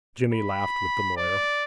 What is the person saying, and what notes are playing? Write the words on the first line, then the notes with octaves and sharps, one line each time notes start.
Jimmy laughed with the lawyer.
B5
D5